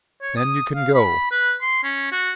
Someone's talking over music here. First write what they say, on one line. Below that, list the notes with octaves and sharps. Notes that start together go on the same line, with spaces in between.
Then you can go.
C#5
D#6
F5
B5
B4
C6
C#4
F#4